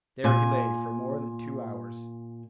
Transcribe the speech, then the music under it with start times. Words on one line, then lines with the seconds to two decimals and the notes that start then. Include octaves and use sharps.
There he lay for more than two hours.
0.24 A#2 G#5